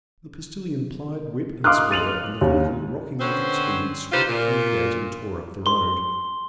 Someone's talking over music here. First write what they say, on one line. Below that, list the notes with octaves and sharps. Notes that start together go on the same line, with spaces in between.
The postillion plied whip and spur, and the vehicle, rocking with its speed, swept through the gate and tore up the road.
F5 C6 D6 D#6 F6 F#6
A6 D#7 F7 F#7
D#2
D3 C4 C#4 B4 C5
D#4 F4 G4 B4 C5
A#2
C6 G7